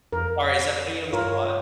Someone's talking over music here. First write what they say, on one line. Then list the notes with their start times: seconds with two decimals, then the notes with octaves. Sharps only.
Sorry, is that putting you on the spot?
0.13 F2 A#4
1.13 G2 F4 A#4 C#5